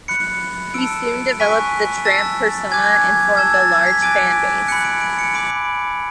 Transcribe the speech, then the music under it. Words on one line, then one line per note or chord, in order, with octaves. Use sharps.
He soon developed the Tramp persona and formed a large fan base.
B5 F#6 C#7
A5 E6 D7
G#5 C#6 F#6 B6
A5 E6 A6
G#5 D6 F#6 G#6
A5 E6 G#6
A6
A6
B6
G#5 D6 F#6 D7
B5 F#6 C#7
D7
D7
C#7
B5 D6 F#6 D7